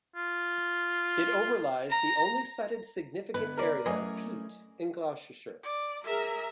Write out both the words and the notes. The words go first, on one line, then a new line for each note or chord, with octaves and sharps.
It overlies the only cited significant area of peat in Gloucestershire.
F4
A#5
D3 G#3 B3 B4
A#4 D5
B2 E3 F#3 A3 C#4 G#4
D5
G#4 A#4 E5 A#5